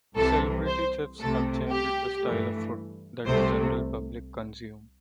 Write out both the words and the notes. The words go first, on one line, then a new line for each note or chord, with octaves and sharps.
Celebrity chefs have changed the style of food that the general public consume.
C2 C3 E3 A4
C5
C2 C3 A3 A4
G4
G2 E3 A3
C2 C3 A3 C5